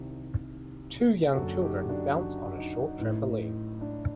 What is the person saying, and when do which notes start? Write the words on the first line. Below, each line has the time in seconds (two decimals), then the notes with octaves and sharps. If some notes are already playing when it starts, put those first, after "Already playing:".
Two young children Bounce on a short trampoline.
Already playing: C2 C3 D#3
1.34 F#1 F#2 D3 F#4 A4
1.62 D#4 G4
1.81 D#4
1.89 D4 F#4
2.17 D4 F#4
2.58 D#4
2.99 A1 A2
3.81 D4